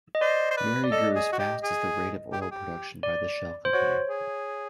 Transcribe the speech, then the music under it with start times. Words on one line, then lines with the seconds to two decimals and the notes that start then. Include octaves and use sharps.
Miri grew as fast as the rate of oil production by the Shell company.
0.15 D#5
0.21 C5 D5
0.51 C5
0.57 B4
0.84 D5
0.91 A4 D#5
1.15 G#4
1.32 F#4
1.39 G4
1.63 G#4
2.32 G4
2.41 G#4
2.51 G4
3.03 D5
3.65 C5
3.73 F#4 C#5
4.09 G#4